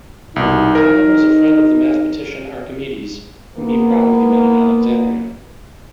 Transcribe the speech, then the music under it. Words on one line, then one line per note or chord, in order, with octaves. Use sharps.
Conon was a friend of the mathematician Archimedes whom he probably met in Alexandria.
C2 B2 D#4
A#4
A#3 B3 B4